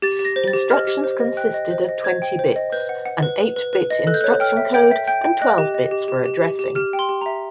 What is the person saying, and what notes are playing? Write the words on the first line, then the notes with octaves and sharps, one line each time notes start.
Instructions consisted of twenty bits: an eight-bit instruction code and twelve bits for addressing.
G4 A6
G4
A#6
C5
A6
G4
D#5 F6
G4
C5
D#5
G5 F#6
D#5
C5
D#5
C5 G#6
G5
C5
D#5
B4 G6
F#5
F#5
B4
B4
B4
B4
D#5
A4 F#6
G6
C#5 F#6
G5 F6
E5
G5 G6
E5
G5 G6
G5
D#5 F#6
G4
D#5
G4
G4
G4
G4
G4
G4 F6
G5
C6
G4
E5 A#5